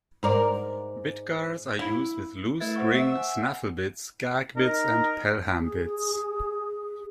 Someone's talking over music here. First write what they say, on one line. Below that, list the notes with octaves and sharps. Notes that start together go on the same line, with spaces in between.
Bit guards are used with loose ring snaffle bits, gag bits, and pelham bits.
G#2 A#4 D5
E4
A3 E4 B4 A6
C5 F#5 C#6
E5 F#5
F#5 G#5
D#4 A#4
G#4